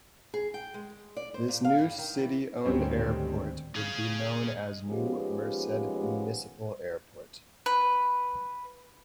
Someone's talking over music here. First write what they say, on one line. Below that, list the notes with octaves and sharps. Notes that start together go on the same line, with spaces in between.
This new city owned airport would be known as "New Merced Municipal Airport".
G#4
G5
G#3
D5
C5
A#2
F5
G2
D#3
E3
G#1 D2 D#3 G3 C4 C#4
G#4 F5
D#2 F3 G#3 B3 C#4 G4
B4